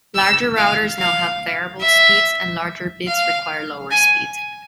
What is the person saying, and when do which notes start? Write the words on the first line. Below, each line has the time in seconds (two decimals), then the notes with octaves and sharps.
Larger routers now have variable speeds and larger bits require slower speed.
0.15 E6
0.57 F5
0.99 F5
1.82 E5
3.08 F5
3.91 G#5